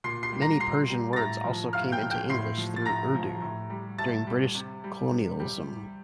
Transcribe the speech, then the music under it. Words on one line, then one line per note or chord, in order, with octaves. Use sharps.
Many Persian words also came into English through Urdu during British colonialism.
A#2 C6 C7
C6 C7
G3
A#5 A#6
A#2 C6 C7
G3
A6
A2 A#5 A#6
F3
A2 F5 F6
G5 G6
F3
G5 G6
A2 C6 C7
F3
A6
A2 A#5 A#6
F3
A2
G3
A2 A5 A6
G3
C3
G3
C3
G3